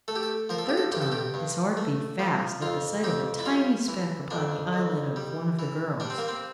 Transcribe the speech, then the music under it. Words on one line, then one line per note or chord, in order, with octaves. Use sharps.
The third time his heart beat fast at the sight of a tiny speck upon the eyelid of one of the girls.
A3 A4
G4
A4
F3 A#4
A4
G4
A4
G2 G4
A4
G4
G2
A3
F3
F2 F4
F2 G4
E4
G3 F4
E3
F2 D4
F2
G3
E3
G3 D4
C4
A#3
C4